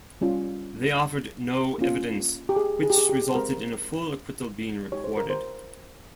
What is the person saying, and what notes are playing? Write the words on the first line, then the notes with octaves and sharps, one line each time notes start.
They offered 'no evidence' which resulted in a full acquittal being recorded.
G3 C#4 F4
A#3 C#4 F4
G4
G#4
G#4
G4
G#4
G4
C5
G#3 C4 G4 A#4
G#3 D#4 G4 C#5
C5
A#4
C5